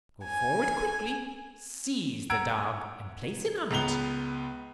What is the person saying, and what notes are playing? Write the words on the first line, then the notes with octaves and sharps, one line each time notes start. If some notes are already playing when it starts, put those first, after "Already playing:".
Go forward quickly, seize the dog and place him on it.
G#5
F#5 A#5 E6 G#6 D7
C#2 B3 A#5 F7 G7